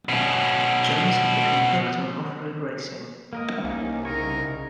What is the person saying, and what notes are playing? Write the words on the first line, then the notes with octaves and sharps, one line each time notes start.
Jones had become hooked on off-road racing.
B2 C#4
A#3 A#4 D#5
C2 A#3 C#4 D#4
C#3 D#4 A#4 C#5